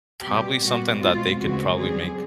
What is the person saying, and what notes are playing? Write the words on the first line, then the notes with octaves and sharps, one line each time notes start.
probably something that they could probably make
B2 G3 C4 G4
A#2 G3 B3 F#4
B2 G#3 C4 F4
D2 C#3 E3 G#3 C4 F#4
F#2 D3 G3 C4 G#4